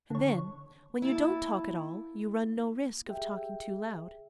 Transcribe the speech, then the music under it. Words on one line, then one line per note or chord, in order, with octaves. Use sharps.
And then, when you don't talk at all, you run no risk of talking too loud.
D3 C#5
A#3 E4 A5
G4 G#4 E5 G5